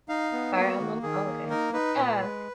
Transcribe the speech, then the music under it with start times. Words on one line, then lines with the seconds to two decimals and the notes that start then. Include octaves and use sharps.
Fire Emblem, oh okay. Yeah,
0.09 D#4 F5
0.32 B3
0.56 A#3 F#4
0.80 D#3
1.03 D#3 G#4
1.26 A#3
1.50 D#4 A#4
1.73 D#4 B4
1.97 A#2
2.21 G#3